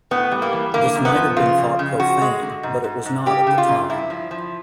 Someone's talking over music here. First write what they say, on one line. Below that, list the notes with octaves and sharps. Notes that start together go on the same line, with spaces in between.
This might have been thought profane, but it was not at the time.
A2 B3
G3
A#3
E3
D3 A#3
F#2
B3
F3
C#3 F4
F2
C#3
F3 F#4
G#3
D3
G#2
G#2
G#2
C#3 G4
C#3
F4
F#2
G2 E4
F3
F3